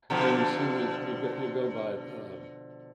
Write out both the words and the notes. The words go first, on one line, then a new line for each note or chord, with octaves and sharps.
I mean, you see the you go you go by, um,
B2 D3 F3